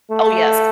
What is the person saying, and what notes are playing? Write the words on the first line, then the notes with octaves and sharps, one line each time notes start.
Oh, yes.
A3